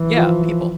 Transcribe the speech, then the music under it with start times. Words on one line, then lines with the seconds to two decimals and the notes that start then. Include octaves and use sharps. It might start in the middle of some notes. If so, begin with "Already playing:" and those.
Yeah, people,
Already playing: E3
0.17 F3
0.44 F3